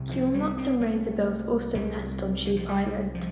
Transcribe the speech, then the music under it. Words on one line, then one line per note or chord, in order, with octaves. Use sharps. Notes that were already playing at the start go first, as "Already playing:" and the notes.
Guillemots and razorbills also nest on Sheep Island.
Already playing: C2 C3
F3
G3
C4
A3
C2 C3 G3
D3
F3
G3
F3